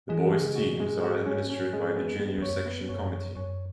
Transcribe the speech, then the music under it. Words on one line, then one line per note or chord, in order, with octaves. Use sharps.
The Boys teams are administered by the Junior section Committee.
E3 G#3
G#3
C#3
F#4
B2
G#3
G#2 F#4
C#4
C#4
G#3
F#2 B3
B3
E2
F#2 C#5
B3
F#2 C#5
C#5
F#2 C#5